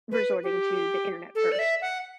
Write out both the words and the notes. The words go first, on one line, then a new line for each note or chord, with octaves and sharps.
resorting to the internet first?"
B4
G4
A4
D5
E5
F#5